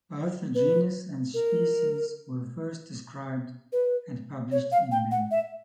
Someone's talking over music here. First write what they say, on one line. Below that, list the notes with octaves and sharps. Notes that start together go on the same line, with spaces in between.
Both the genus and species were first described and published in Mem.
B4
A#4
B4
C#5
F5
G5
F#5
E5